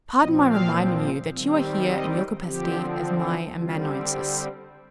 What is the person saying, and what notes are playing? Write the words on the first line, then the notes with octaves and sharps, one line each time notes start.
Pardon my reminding you that you are here in your capacity as my amanuensis.
A#2 F3 C4 D#5
F5
D#3 G3 C4
D#5
D3 F3 C4 G4
D3 G3 C4 F4